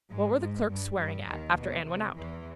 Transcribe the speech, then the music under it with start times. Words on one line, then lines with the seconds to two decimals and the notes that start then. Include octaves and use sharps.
What were the clerks swearing at after Ann went out?
0.10 G#2 G#3
0.39 G#2 G#3
0.69 G2 G3
0.98 G2 G3
1.27 D#2 D#3
1.57 B2
1.86 C3
2.15 E2 E3